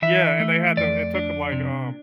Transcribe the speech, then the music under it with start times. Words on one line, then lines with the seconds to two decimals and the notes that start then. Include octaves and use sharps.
Yeah. And they had to it took 'em, like, um
0.02 E3 E5
0.40 A3
0.77 F2 D5
1.15 D4
1.52 C3